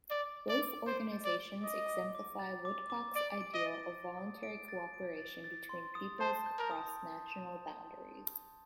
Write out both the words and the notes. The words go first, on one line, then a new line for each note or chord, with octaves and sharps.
Both organizations exemplify Woodcock's ideal of voluntary cooperation between peoples across national boundaries.
D5 D6
D6
D5
D6
C5 D7
A6
D5
D7
D#5 D6
D6
D6
A6
D6
D6
D5 D7
D7
D#5
A6
D7
D#6
D7
A6
D7
A6
A6
C6
D#6
C5 A5
G6
A#4
D#6